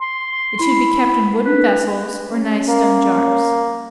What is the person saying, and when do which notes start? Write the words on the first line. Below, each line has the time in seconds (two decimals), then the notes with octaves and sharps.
It should be kept in wooden vessels, or nice stone jars.
0.01 C6
0.60 E4
1.45 B4
2.29 C#4
2.68 A#3